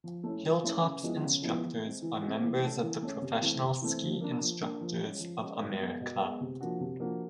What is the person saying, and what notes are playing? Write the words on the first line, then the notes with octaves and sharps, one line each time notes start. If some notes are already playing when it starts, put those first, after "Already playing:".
Hilltop's instructors are members of the Professional Ski Instructors of America.
F3
A3 C#4 E4
F3
A3 C#4 E4
C#3
F3 G#3 B3 E4
C#3
F3 G#3 B3 E4
E3
G#3 C4
E3
G#3 C4
E3
A3 C#4
E3
A3 C#4
C3
E3 A3 C4
C3
E3 A3 C4
F3
A#3 D4
F3
A#3 D4
F3
G#3 C#4
F3
G#3 C#4
B2
G#3 B3
B2
G#3 B3
C3
F3 A#3 D4 F#4
C3
F3 A#3 D4 F#4